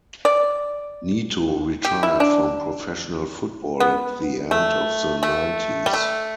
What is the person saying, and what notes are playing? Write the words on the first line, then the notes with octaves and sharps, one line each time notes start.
Neto retired from professional football at the end of the nineties.
D5
G4
E4
D4
B3
A3
A3
G3
A3